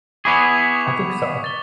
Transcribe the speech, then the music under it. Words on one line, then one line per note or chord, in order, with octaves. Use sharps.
I think so.
B3 E4 G#4 C#6 D6 F7
A6 G7